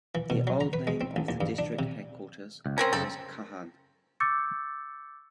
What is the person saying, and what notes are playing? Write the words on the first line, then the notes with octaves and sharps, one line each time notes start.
The old name of the district headquarters was Kahan.
E3
B2
F#3
A#5
B4
G#3
C4
A1
D#2
G2
D4
C3
C#2
C4 C#4 A#4 A#5
F#2 C#3 C4 A4
C#6 D6 E6 G6 A6 C#7